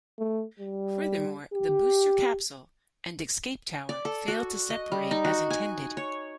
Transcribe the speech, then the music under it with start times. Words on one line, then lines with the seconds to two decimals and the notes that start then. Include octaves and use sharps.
Furthermore, the booster, capsule and escape tower failed to separate as intended.
0.18 A3
0.59 G3
1.54 G4
3.89 D5
4.05 A4
4.28 F#4
4.70 D#5
4.92 G3
5.11 D#4
5.25 F#4
5.50 G#5
5.97 C#5